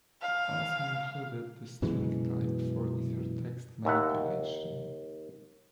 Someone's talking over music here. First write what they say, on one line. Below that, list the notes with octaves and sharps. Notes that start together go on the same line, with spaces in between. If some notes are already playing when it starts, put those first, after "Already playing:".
It also included the string type for easier text manipulation.
F5
F#2 B2 E3 G#3
D#2 E5 F#5